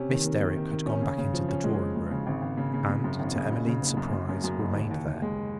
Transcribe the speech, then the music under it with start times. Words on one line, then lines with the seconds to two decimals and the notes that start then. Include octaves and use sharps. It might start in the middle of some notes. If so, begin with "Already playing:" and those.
Miss Derrick had gone back into the drawing-room, and, to Emmeline's surprise, remained there.
Already playing: C3 C#4
0.10 D#3
0.24 D#3
0.41 D#3
0.56 D#3
0.71 D#3
0.86 C#4
1.02 C#3
1.18 C#3
1.33 F3
1.49 C#4
1.64 G#3
1.80 F3
1.96 G#3
2.11 C#3
2.27 G#1
2.42 G#1
2.57 C#3
2.73 C#3
2.89 C#3
3.04 F#2
3.20 G#1
3.35 C#3
3.51 F#1
3.67 C#3
3.82 F#1
3.97 F#2
4.13 F#2
4.29 F#2
4.44 F#2
4.59 F#1
4.75 D#2
4.91 D#2
5.06 D#2
5.22 G#3